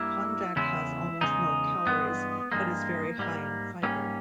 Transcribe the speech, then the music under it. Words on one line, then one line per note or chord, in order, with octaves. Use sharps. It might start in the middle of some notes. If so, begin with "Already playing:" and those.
Konjac has almost no calories, but is very high in fiber.
Already playing: G2 G3 A#3 E4
E2 C#3 G#3 E4
E2 C#3 G#3 D#4
G2 E3 G#3 B3
G2 E3 G#3 A#3
G#2 G3 A#3
G#2 G3 A#3 C#4